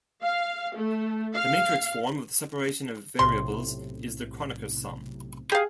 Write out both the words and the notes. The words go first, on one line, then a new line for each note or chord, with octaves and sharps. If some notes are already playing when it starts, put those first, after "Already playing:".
The matrix form of the separation of variables is the Kronecker sum.
F5
A3
F5
B1 A2 C3 C6
G4 G#4 F5